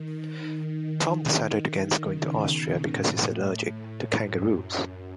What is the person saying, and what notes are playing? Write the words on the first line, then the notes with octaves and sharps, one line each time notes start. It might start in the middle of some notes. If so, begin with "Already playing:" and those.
Tom decided against going to Austria because he's allergic to kangaroos.
Already playing: D#3
D#3
C#3
B2
A2
F#2